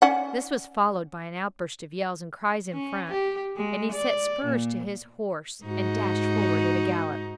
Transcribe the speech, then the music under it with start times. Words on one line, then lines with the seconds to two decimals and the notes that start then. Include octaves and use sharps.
This was followed by an outburst of yells and cries in front, and he set spurs to his horse and dashed forward at a gallop.
0.02 C#4 D5 F#5
2.73 C#4
3.11 G4
3.57 G#3
3.92 D5
4.45 A#2
5.64 G#2 D#4 F#4